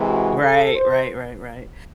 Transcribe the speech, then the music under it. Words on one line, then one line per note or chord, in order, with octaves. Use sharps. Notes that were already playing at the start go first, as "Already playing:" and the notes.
Right, right, right, right.
Already playing: C3 E3 G#3
F#4
A4
C5